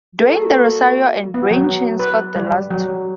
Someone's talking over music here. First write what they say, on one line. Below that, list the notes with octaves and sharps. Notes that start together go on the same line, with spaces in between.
Dwayne De Rosario and Brian Ching scored the last two.
G3 A#3 F#4 A4
B3
F#3
B4
G3
F#3